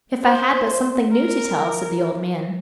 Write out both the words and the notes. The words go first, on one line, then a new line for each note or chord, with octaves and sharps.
"If I had but something new to tell," said the old man.
C5
A#4